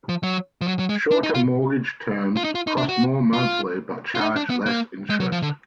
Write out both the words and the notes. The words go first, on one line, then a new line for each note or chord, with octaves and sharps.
Shorter mortgage terms cost more monthly but charge less interest.
F3
F#3
F3
F#3
F#3
G#3
D4
D#4
F4
F4
D#4
F4
D#4
D4
F#4
F4
F4
D#4
D4
B3
A#3
G#3
F#3
F3
D3